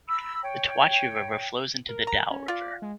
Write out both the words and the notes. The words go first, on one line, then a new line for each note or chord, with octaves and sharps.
The Toachi river flows into the Daule river.
A#5 B5 E6
C#5 G5
A#4
A#5
C#4
F4 D5
G#3